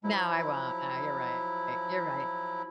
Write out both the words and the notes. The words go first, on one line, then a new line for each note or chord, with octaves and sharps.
No, I won't, nah, you're right, you're right.
F3 F#3 E4